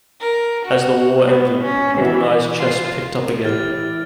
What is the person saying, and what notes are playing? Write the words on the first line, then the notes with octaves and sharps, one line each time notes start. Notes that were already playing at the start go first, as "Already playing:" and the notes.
As the war ended, organized chess picked up again.
A#4
F#4
B3
C#4
E3
F4
C4 A#4
E3 E4 G4 D5 F6 A6